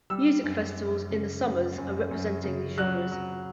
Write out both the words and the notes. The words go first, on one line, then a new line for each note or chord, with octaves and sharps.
Music festivals in the Summers are representing these genres.
G3 E6
F#2
F#2
C#3
F#2
F#2
F#2
C#3
F#3 F#6
F#3